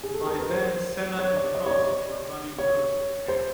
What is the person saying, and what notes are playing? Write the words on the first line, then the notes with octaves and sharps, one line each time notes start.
By then, Senna and Prost were running nose-to-tail.
G#4
A4
A#4
B4
C5
C#5
D5
D#5
C#5
D5
C#5
C5